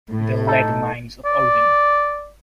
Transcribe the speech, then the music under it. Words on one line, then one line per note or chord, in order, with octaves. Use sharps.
The lead mines of Odin.
A2
D#4 A4
D5